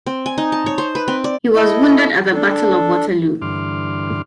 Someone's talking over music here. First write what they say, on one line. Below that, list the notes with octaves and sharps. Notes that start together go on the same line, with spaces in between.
He was wounded at the Battle of Waterloo.
C4
G#5
D#4
A5
C#5
C5
B4
C4
D5
E4 A4 D#5
D4 A4
G2 D3 E3 C6 D6 F6